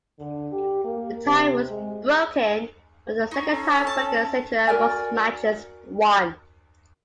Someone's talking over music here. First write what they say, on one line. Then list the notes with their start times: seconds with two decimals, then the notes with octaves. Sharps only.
The tie was broken from the "Second Tie Breaking Criteria: Most Matches Won".
0.20 D3
0.52 G4
0.84 A#3
1.26 C3
1.70 G#3
3.31 D#4 C#6
3.52 C#4 A4
3.87 A5
4.67 F#4 A#4 D5 G#5